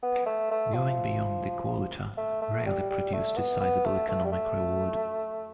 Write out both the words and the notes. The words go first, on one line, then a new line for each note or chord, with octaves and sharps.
Going beyond the quota rarely produced a sizeable economic reward.
B3
A3
A3
F3
A3
A3
G3
G3
A3
B3
B3
A3
A3
G3
A3